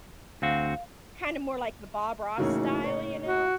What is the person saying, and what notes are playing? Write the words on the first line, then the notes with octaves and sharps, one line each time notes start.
Kinda more like the Bob Ross style, you know?
D2 C4 F#4 F5
A2 C#3 E3 A#3 D#4 F#4
C#5
F#4